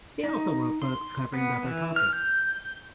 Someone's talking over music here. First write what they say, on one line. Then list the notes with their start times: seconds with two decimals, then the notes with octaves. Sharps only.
He also wrote books covering other topics.
0.24 D#4
0.82 C6
1.34 B3
1.63 E3
1.96 F6
2.13 G6